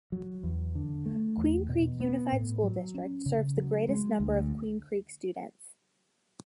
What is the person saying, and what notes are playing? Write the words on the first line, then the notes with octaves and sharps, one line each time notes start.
Queen Creek Unified School District serves the greatest number of Queen Creek students.
F#3
E2
D3
A3
E2
B2
B3
A2
F#3
C#4
C#3
F#3
G#3
D2